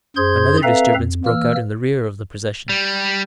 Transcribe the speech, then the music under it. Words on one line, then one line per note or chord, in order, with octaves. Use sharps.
Another disturbance broke out in the rear of the procession.
F#2 G#4 C5 C6 G6 G#6
C4 A4 B4 E5 F5 A#5
F2
E3 A#3 E6 F6
G3